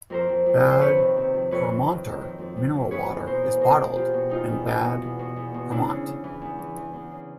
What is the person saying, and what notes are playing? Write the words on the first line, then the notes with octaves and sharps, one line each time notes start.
Bad Pyrmonter mineral water is bottled in Bad Pyrmont.
F2 A#4 C5
F2
F2
F2
C5
C3 B4 C#5
D#3
C3
F2
F2 B4 C#5
D#3
D#3
D#3
F2
F2
F2
F2
E2 B4 C#5
E2
B2 A#4 C5
E2
B2 A#4 C5
E2
E2 F4 G4
B2
E2 D#4 F4
E2
B2
B2
E2
B2
E2
B2
C#3 D4 E4
C#3
C#3
E3
E2
E3
E3
E2
C#3